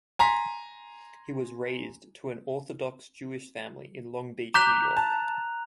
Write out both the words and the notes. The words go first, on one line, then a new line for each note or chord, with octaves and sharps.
He was raised to an Orthodox Jewish family in Long Beach, New York.
G#5 A#5 C6 B6
A#5 D6 F#6 G6 B6 F7
A5